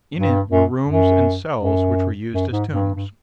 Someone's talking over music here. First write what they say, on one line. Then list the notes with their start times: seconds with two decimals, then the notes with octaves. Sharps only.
In it were rooms and cells which were used as tombs.
0.15 G2
0.51 F#2
0.88 F#2
1.60 F#2
2.33 F#2
2.51 G#2
2.69 G2
2.95 G2